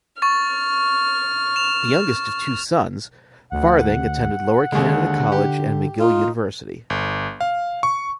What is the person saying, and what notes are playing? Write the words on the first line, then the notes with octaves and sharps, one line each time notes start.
The youngest of two sons, Farthing attended Lower Canada College, and McGill University.
C#6 F6 A6
E7 F7
D2 F#5
D#2 D3 G#3
G4
D#4 F4
G1
F5
C#6